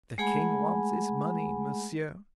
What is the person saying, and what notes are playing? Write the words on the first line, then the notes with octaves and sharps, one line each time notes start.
"The king wants his money, monsieur."
G#3 A3 G#4 F#5 G#5 B5